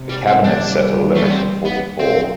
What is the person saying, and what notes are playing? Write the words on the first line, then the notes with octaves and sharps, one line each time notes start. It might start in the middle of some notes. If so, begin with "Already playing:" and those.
The cabinet set a limit of forty-four.
Already playing: C3
G3
C4
D4
G3
A3
B3
C4
B3
F#3 C4